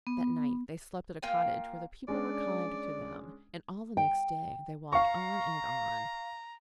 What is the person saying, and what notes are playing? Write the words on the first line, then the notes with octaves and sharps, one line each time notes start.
That night they slept at a cottage where the people were kind to them, and all the next day they walked on and on.
B3
A#3 F4 G5 G#5
G#3 C#4 D4 D5
G5
F5 A#5 C#6